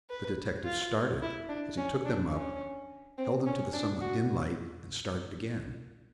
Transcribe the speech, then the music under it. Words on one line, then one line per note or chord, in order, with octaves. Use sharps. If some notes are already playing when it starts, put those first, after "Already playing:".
The detective started as he took them up, held them to the somewhat dim light, and started again.
B4
F4
E4
D4
C#4
D4
C#4
C4
C#4
D4
F#4